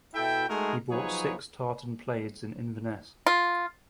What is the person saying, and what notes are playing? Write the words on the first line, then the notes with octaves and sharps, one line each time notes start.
He bought six tartan plaids in Inverness.
B2 E4 A4 E5 G5
G#3 A3 D#4 F#4 G#4 A#4
F3 F#3 D#4 G#4 B4 C#5
F4